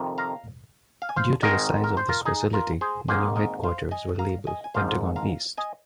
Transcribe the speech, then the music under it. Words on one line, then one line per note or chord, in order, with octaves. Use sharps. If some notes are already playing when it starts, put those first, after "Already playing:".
Due to the size of this facility, the new headquarters were labelled Pentagon East.
Already playing: F2 C3 D#3
F5 A#5
F5
G#5
C5 F5
G#1 G#2 D#3 G#3 A#4 D#5
A#4
C5
F4 A#4
D#4 G#4
F4 A#4
G#4 C5
G#1 G#2 D#3 A#3 G#4 C5
A#4 D#5
C5 F5
D#5 G#5
F5 A#5
D#5 G#5
G#5
G#1 G#2 F3 C5 F5
F5 A#5
D#5 G#5